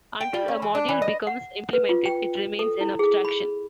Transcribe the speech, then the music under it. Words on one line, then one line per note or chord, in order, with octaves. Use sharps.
Until a module becomes implemented it remains an abstraction.
G5
G3
C#4
E3
D4
E3
D#5
F#5
B4
F4
G5
A4
E4
G#4
B5